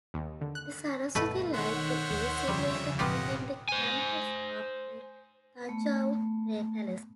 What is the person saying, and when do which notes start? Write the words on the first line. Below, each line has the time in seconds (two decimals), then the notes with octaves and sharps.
The Saraswati Library is situated within the campus of the Thanjavur Palace.
0.14 D#2
0.41 D3
0.55 F#6
1.15 G1 B2 A3 B3 B4
1.54 D#3 C5 C#5 E5 F#5
2.11 D#2
2.48 F2 C#3 G3
2.99 D1 B2 B3 F4 G4 D#5 F#5
3.69 C5 G#5
5.66 A3 B3